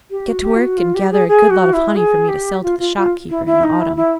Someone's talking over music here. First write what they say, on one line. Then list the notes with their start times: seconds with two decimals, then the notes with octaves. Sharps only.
Get to work, and gather a good lot of honey for me to sell to the shopkeeper in the autumn.
0.10 G4
0.28 F#4
0.43 G4
0.56 F4
0.61 F#4
0.77 F4
0.94 G4
1.11 G#4
1.28 G#4
1.50 F#4
1.73 E4
1.95 G#4
2.28 G4
2.63 F4
2.78 F4
2.96 F4
3.29 E4
3.45 E4
3.63 D#4
3.80 E4
3.96 E4